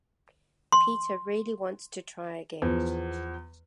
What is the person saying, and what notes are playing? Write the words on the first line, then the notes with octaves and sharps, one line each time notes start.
Peter really wants to try again.
C6
E2 F3